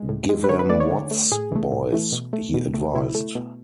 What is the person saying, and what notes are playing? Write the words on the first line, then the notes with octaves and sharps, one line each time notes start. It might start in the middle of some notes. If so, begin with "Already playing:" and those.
"Give 'em Watts, boys!", he advised.
Already playing: G#3
A2
G#3
B4
D3 C#5
B4
A3 D5
C#5
D3
A3
A2 G#4
E3 A3
A2
E3 A3
B2
A3
B2
A3
B2 E4
A3
B2